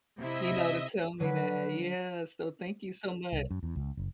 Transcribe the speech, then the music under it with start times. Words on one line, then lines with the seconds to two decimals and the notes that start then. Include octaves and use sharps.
you know, to tell me that. Yeah, so thank you so much.
0.19 C3 E4 D#5 E5
1.20 D3 F#3 B4
3.32 C2
3.51 F#2
3.63 E2
3.76 C#2
3.97 F#1